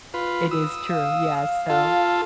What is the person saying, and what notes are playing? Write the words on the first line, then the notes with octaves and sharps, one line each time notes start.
It is true. Yes, so
F4 B4
D#6 E6
F5
F4 A4